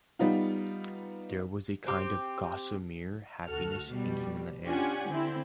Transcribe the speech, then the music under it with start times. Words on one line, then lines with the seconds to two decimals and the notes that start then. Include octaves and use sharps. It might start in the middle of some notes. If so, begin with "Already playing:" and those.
There was a kind of gossamer happiness hanging in the air.
0.19 G3 B3 D#4 F4
1.86 C4 G4
3.48 D2 F#4 A4 F6
3.90 B2 G3
4.65 C#4 D4 F4 G4 F#5 G#5
5.09 D3 C4 E4